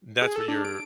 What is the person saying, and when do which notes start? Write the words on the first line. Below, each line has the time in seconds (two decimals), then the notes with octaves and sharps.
that's what your
0.22 G#4
0.36 A4
0.48 D4
0.65 D7